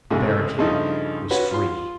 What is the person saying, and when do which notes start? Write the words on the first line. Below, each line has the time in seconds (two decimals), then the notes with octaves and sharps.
The barricade was free.
0.10 C2 G#2 C#3 E3 G#3 A3
0.58 G2 C#3 F3 A3 D#4 E4
1.31 C#4 F#4 B4
1.51 F4 C6